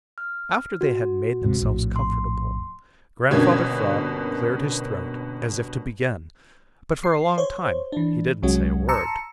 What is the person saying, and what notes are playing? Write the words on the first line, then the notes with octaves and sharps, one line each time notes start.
After they had made themselves comfortable, Grandfather Frog cleared his throat as if to begin, but for a long time he didn't say a word.
F6
F#4
D#1 G#2 C3
A#1 F2 A2
C6
G1 B2 A#3 C#4 D4 G#6
C7
C5 C#5
E3 D4
C2 F#3 G#3 C#4 F#4
A5 A#5 C6 E6 C#7